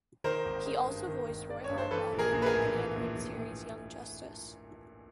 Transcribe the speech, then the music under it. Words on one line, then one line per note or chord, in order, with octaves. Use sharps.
He also voiced Roy Harper on the American animated series "Young Justice".
D#3 A#4 C5
G#1
G#3
G2
D#3
G#1
G#3 D5
C#5
G2
C5
E3 A4 B4
A#1
G#4 A#4
A#1
B4
G#4 A#4
A2
E3
A#1
A#1
A2